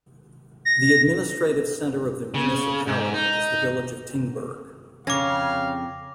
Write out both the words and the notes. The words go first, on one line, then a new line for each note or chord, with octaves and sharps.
The administrative centre of the municipality is the village of Tingberg.
A#6
C#3
G#2
D#4
F2 C#3 C#4 F5 D6 A#6